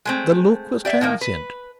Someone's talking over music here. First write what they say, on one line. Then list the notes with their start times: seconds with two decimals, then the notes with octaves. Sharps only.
The look was transient.
0.05 G#3 A3 C4
0.85 G4 D5 E5
1.01 A2 D#3 A#3
1.21 B4